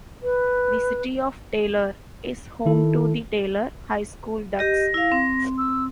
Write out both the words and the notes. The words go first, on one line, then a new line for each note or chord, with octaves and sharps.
The City of Taylor is home to the Taylor High School Ducks.
B4
D#3 E4 A4
G4 D#5 A#6
E4 F5
C4
E6